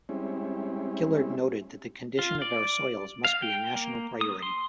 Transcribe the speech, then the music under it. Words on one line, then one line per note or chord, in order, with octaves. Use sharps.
Gillard noted that the condition of our soils must be a national priority.
G3 G#3 C4 C#4 E4
F4
D5
F5
G5
A#3
D#6
C6